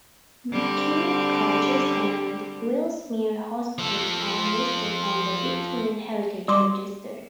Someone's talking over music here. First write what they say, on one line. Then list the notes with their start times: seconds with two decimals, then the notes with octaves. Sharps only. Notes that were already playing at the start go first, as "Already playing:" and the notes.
Kew Cottages and Willsmere Hospital are listed on the Victorian Heritage Register.
0.51 D3 G3 C4
3.78 F3 A4
6.48 G3 C6 D6